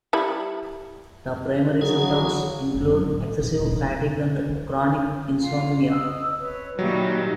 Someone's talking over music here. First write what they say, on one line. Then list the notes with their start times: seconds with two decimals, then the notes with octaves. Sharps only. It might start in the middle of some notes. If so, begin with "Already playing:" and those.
The primary symptoms include excessive fatigue and chronic insomnia.
0.13 G3 E4 B5
1.81 C#3 F#3 G#4
2.74 F#1
2.94 F#3
3.09 A1
3.40 A#2
3.59 D#1
3.72 C3
4.07 D3
4.49 D#3
5.39 F4 F5
5.91 D#5 D#6 E6
6.39 B4 C#5
6.79 A#2 D#3 F#3 G3 F#4 E5